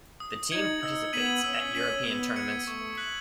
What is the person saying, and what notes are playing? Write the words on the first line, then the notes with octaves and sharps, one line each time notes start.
The team participates at European tournaments.
D#6
D#4 G#6 C#7 F#7
D#4 E6
B3 G#6 B6 D#7 F#7
C#4 E6
C#4 B6 D#7 F#7
B3 E6
G#6 C#7
A3 C#6
F#6 B6 F#7